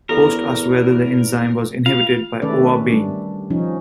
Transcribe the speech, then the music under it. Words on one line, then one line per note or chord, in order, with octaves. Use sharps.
Post asked whether the enzyme was inhibited by ouabain.
E2 G4 A4 A#4 E5
F4 F5
D#3 A3 C#4 A4 B4 D5
G3 D4
F3 C#4 D#4